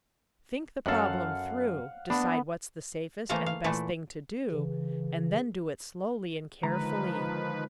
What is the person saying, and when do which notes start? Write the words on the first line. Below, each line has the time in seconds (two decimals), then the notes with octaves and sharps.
Think the problem through, decide what's the safest and best thing to do, and then do it slowly and carefully.
0.86 F#2 A4 F5 F#5
2.10 B3 D4
3.29 E3 A3 A#3 C5 F5 A#5
3.46 F5
3.64 A#2 E3 A3 E4
4.51 C#3 E3
6.63 D3 D#3 F3 G#3 B4 A#5